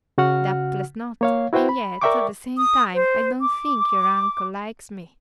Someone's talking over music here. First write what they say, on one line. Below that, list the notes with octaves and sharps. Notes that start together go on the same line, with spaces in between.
"Doubtless not; and yet, at the same time, I don't think your uncle likes me."
C#3 F#4 F#5 F6
A#3 C#5 F5
E4 F#4 B4 C5 G5
B5
A#4 D5 E5 G5 C#6 D6
D#6
C5
D6